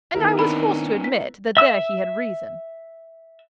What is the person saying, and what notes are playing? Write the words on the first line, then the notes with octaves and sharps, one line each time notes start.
And I was forced to admit that there he had reason.
D#3 B3 E4 A#4
C4 D4 D5 B5
B6
E5 E6